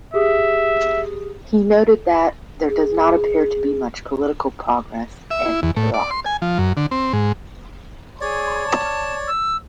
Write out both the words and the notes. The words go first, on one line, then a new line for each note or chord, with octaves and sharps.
He noted that, "there does not appear to be much political progress" in Iraq.
G4 G#4 E5 D#6
G#4
E5
E4
E2
A2
D5
C6
G#5
F3
F#2
D3
C4
G#2
G#4 C#5 D5
A5
E6